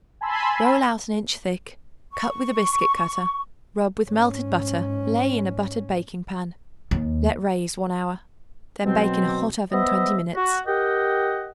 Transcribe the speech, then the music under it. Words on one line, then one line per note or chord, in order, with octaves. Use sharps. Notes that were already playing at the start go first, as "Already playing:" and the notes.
Roll out an inch thick; cut with a biscuit-cutter; rub with melted butter; lay in a buttered baking-pan; let raise one hour; then bake in a hot oven twenty minutes.
G#5 A5 B5 C6 E6
C#6
G#2 C#4
D#2
B2 F#3 C4
B3 C5 D#5 E5
F#4
G4 A#4 D#5 F#5 G5